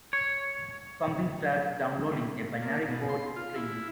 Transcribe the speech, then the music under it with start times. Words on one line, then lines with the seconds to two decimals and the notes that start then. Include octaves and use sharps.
Something starts downloading: a binary code string.
0.13 C#5
2.62 A#3
2.88 B2
3.09 C6
3.36 F4
3.55 E4